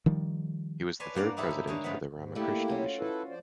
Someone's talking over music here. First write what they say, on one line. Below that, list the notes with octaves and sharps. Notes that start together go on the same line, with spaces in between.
He was the third president of the Ramakrishna Mission.
D#3 F3 G3
B4 C#5 D5 G#5 A5 C6
G2 A#3 D5 F5 F#5
A#3 D#4 E4 G4 A4 C5
C#4
D3 G#3 D#4 C#5
G2 C#3 F3 A3 B3
G#2
D3 A3 A#3 E4 G4
C#4 F4 F#4
E4 A4 B4
F3 C5 D5